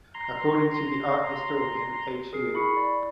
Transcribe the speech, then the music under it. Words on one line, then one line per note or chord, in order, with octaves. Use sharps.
According to the art historian H.-U.
A#5 C6
G#4 A#4 C7
E4 B5 C#6 C#7
D5